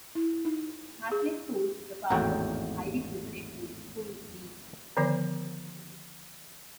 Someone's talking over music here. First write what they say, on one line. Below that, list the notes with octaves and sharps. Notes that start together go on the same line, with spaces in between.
Hackley School is a part of the Ivy Preparatory School League.
E4
D#4
G#4
G#1 E2 A2 F#4 G5
D3 D#3 F3 B3 C#5